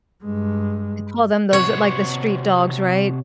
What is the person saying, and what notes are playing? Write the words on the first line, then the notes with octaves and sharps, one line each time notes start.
I call them those, eh, like, the street dogs, right?
G2 G#3
C3 F#4 C#5